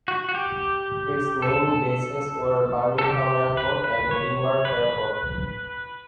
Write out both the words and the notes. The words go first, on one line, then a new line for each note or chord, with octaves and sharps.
Its main bases were Birmingham Airport and Edinburgh Airport.
F#4
F#4
G4
A4
A4
G4
B4
B4
C#5
B4